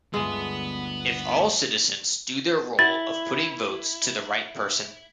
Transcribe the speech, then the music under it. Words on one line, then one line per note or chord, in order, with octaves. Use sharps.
If all citizens do their role of putting votes to the right person.
G1 D2 G#3 B3
E4 A6